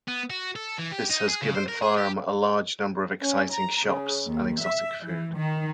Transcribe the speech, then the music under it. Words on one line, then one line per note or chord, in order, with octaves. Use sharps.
This has given Farum a large number of exciting shops and exotic food.
B3
F#4
A4
E3
G4
D#4
G#4
C#3
C5
A#4
G#4
G4
C#4
A#5
C#3
D#2
E5
E3
D#3